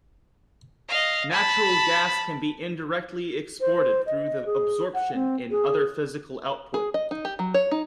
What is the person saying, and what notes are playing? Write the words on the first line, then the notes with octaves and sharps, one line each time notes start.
Natural gas can be indirectly exported through the absorption in other physical output.
D#5 F5
A5 B5
C5
D#5
G#4
F#5
C4
G#4
G#4
D#5
D#4
G4
F#3
C#5
D#4